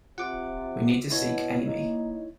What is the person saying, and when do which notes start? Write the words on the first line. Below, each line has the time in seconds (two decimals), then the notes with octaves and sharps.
We need to seek Amy.
0.18 C3 F4 F#5 D6
1.11 B2 E4 C#5
1.64 A#3 D#4